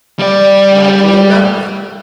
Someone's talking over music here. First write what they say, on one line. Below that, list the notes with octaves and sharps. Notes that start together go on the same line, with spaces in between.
Likely enough.
G3 D5